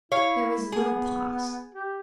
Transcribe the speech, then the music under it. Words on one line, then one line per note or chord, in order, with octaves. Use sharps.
There was a little pause.
E4 C#5 F5
B3 G#4
G4